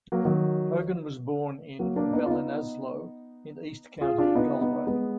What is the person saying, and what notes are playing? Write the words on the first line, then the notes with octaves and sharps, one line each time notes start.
Hogan was born in Ballinasloe in east County Galway.
F#3 A#3
D#3 F#3
F#3 A#3
A#3 D4
B3 D#4
F4
B3 D#4
F4 G#4
D4 F4
B3 D#4
B3 D#4
G#3 B3